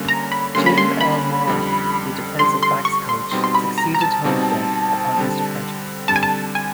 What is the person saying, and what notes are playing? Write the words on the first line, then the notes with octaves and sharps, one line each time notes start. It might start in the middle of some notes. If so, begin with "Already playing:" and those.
Jim L. Mora, the defensive backs coach, succeeded Holmgren upon his departure.
Already playing: D3 G3 A#3 C#4
A#5
B5
D3 G3 A#3 C#4 C6
B5
C6
B5
F2 D3 G3
F2 D3 G3 C6
C6
C#6
C6
B2 G3 C4 D#4 C6
C6
B5
A#5
A#5
A5
B2 G3 C4 D#4
D3 G3 C4
D3 G3 C4 A5
G#5
A5
G#5